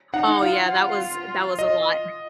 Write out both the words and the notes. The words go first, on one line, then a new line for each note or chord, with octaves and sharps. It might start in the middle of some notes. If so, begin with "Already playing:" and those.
Oh yeah, that was that was a lot.
D#4 F#5
F4 F5
D#5